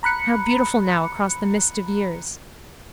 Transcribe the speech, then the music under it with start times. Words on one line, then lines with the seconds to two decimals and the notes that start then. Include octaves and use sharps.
How beautiful now across the mist of years!
0.03 A#5 B5 F#6 C#7